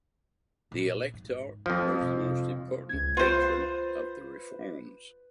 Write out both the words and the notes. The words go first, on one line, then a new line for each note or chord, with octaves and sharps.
The Elector was the most important patron of the reforms.
A#2
G#2
F2 F3 A3
C3 G3
C#2 G#6
F4 B4 C5